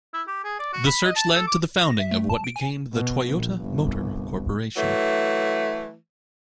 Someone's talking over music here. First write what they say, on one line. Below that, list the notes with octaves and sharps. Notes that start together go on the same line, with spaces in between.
The search led to the founding of what became the Toyota Motor Corporation.
E4
G4
G#4
D5
F#4
B5
D#5
A5
A4
D6
A#6
E5
A3
A5
D7
G#5
B2
A#1
G1 C2
E3 F#3 A3